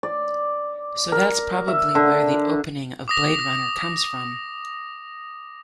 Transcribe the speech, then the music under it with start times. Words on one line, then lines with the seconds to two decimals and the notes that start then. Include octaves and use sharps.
So that’s probably where the opening of "Blade Runner" comes from.
0.03 D5
1.12 A#4
1.68 E5
1.95 D3
3.08 D6 D#6 A#6